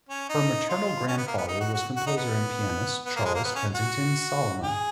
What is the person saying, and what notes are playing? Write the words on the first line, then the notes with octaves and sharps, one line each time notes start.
Her maternal grandfather was composer and pianist Charles Kensington Salaman.
C#4
D#4
F4
C#4
B3
A#3
B3
D#4
F#4
F#4
F#4
D#4
B3
B3
A#3
G#3
A#3
B3
C#4
F#4
G#4